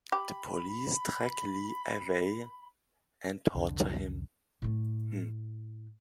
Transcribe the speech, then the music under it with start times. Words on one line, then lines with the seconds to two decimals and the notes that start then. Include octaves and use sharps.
The police drag Lee away and torture him.
0.12 G4 B5
3.55 C2 F2 D3 D4
4.62 A2 A3